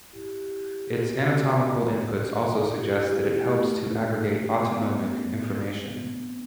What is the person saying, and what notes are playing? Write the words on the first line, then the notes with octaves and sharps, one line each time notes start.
Its anatomical inputs also suggest that it helps to aggregate autonomic information.
E4 G4
F#4 A4
E4 G4
E4 G4
E4
A3
A3
B3
B3
C4
B3
D4
C4